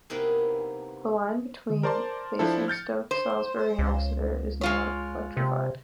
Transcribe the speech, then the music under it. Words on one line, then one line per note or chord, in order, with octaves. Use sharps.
The line between Basingstoke, Salisbury and Exeter is not electrified.
C3 A#3 B3 D#4 E4 G#4
A#4 C5 D5 A5 C6
F3 D4 E4 A4
F6 G6 A6 C#7
C5
C#2
G#3 F4 C#5
C3